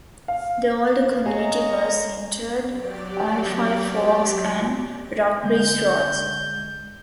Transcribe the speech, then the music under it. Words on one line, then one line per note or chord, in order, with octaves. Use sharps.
The older community was centered on Five Forks and Rockbridge Roads.
F5
G#4 C#5 D#5 A#5
F#3 G4 D5
D3 G#3 G6